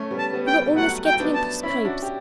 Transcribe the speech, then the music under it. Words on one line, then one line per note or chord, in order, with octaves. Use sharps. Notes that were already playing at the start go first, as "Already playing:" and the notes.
You were always getting into scrapes.
Already playing: A3 C#4
G3 B3
A5
G3 B3
G5
G3 B3
G3
F#3 A3 F#5
F#4 G5
E4
B3 D4
A5
C#4 E4 B5
E4
D4 F#4
G4